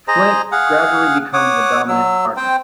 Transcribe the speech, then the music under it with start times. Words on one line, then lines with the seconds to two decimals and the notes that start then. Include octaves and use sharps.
Flint gradually becomes the dominant partner.
0.08 G#4 C5 D#5 A#5
0.52 G#4 F5 F#5
1.33 C#5 F#5 D6 D#6
1.88 F#3 E6
2.37 C4 C5 G5